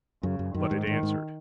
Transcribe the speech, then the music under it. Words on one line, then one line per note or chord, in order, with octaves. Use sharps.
But it answered.
F#2 C#3
F#2
F#2 D#3
G#2
G#2 D#3
G#2